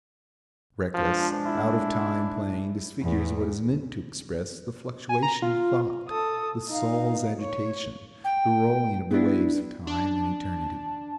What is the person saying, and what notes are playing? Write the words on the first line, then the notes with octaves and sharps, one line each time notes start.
Reckless, out-of-time playing disfigures what is meant to express the fluctuation of thought, the soul's agitation, the rolling of the waves of time and eternity.
F3 G#3 D4
E4
E2
G#5
A#5
F4
A4 D#6
D#4 F5
C#5
G5
B3 D4 E4
D4 A5